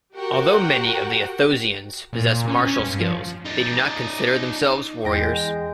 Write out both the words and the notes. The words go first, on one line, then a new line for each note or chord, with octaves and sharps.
Although many of the Athosians possess martial skills, they do not consider themselves warriors.
F#4 G4 A#4 F#5 G5
A#2
C#4
C#4
G2
F3
D#4 D5
E2 G#3 G5 A#6